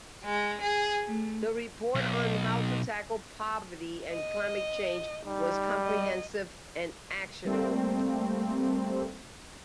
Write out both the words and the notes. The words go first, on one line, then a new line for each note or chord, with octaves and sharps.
The report on how to tackle poverty and climate change was comprehensive and actionable.
G#3
G#4
A3
B1
D#5
G3 D#4
D#5
G3 A3 A#3 C4